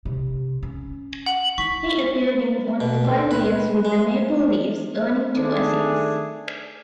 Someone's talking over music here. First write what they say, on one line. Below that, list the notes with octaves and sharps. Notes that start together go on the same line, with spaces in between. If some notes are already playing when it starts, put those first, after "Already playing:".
He appeared in only five games with the Maple Leafs, earning two assists.
C3
C#4
F#5 F#7
E4 C#6 B6
B2
D2
B4
G#3
D#3 A3 D4 G#4